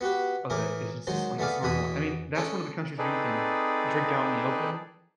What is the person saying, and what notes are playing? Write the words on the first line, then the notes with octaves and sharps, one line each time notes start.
of it. It's just it's like it's normal I I mean, that's one of the countries where you can drink out in the open,
B3 F#4 G4 B4
A2 E3 G#4 A#4 D6
D#3 F#3 G#3 C5
A3 B3 G#4 D5 F5
E2 B2 F#4 G#4 B5 D#6
C#4 D4 G#4 A4 C#5
C4 D#4 G#4 A4 B4 D5